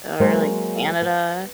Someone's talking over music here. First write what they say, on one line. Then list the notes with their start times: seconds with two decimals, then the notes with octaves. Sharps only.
or, like, Canada
0.20 F#3 G#3 A#3 C5
1.02 B3